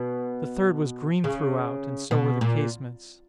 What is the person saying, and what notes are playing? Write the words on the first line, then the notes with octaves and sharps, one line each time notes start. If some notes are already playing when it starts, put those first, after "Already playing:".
The third was green throughout, and so were the casements.
Already playing: B2
C#3
B2
A#2